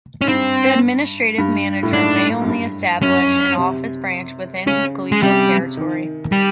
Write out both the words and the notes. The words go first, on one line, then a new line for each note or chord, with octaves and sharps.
The administrative manager may only establish an office-branch within his collegial territory.
G#2 C#4
G2 C4
G2
A2
G#2 D4
F#2
G2
F#2 C#4
C3
C#3 C#4
G#3
C3 G3
D#3
G3